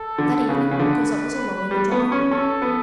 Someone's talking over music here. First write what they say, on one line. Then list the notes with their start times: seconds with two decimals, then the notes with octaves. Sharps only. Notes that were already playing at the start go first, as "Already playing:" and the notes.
That evening, Cosette was alone in the drawing-room.
Already playing: A4
0.18 D3
0.49 C#3 B4
0.71 C#3
0.79 D3
1.71 G3
1.91 B3
2.12 C#4
2.31 C#4 A4
2.62 B3